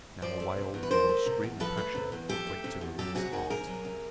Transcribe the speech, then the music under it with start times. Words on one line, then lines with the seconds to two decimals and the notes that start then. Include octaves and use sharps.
Now a wail, now a scream of passion, went to Maria's heart.
0.22 F3 C5 D5
0.40 A3
0.57 C3
0.74 E2
0.83 B4
0.91 F3 A#4 C5
1.09 A3
1.26 C3
1.43 E2
1.60 F3 A4 B4
1.77 A3
1.95 C3
2.12 E2
2.29 F3 G4 A4
2.47 A3
2.64 C3
2.81 E2
2.99 F#3 G4 A4
3.15 C3 F#4 G#4
3.32 D#3 F#4 G#4
3.50 C3 G#4 A#4
3.67 F#3
3.85 C3